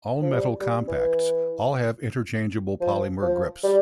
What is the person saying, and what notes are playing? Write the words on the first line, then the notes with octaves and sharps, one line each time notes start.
All metal Compacts all have interchangeable polymer grips.
F3
G3
G3
E3
F3
F3
G3